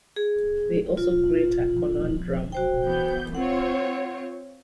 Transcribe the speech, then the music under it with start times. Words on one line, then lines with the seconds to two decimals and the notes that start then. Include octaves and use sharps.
They also create a conundrum.
0.16 G#4
0.97 F4
2.52 F#4 C5 G5
2.85 E3 B3 G6
3.35 C4 F4 C#5 F#5